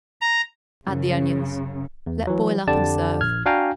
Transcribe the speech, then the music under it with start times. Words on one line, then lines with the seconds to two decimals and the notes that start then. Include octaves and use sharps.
Add the onions; let boil up and serve.
0.21 A#5
0.87 F#2 C#3
2.06 E2
2.27 E3 F#3
2.67 F2 D3 G4 D5 A5
3.21 A#1 F6 G#6
3.46 D4 F#4 F5 G5 G#5 A#5